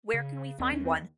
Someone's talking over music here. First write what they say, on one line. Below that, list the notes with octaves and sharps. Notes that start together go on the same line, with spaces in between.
Where can we find one?
C#3
D#2 C4
C#4
C4